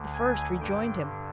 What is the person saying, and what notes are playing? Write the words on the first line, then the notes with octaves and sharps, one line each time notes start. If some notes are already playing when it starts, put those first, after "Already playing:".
The first rejoined him.
Already playing: D2 D3
G#5
G2 D3 G5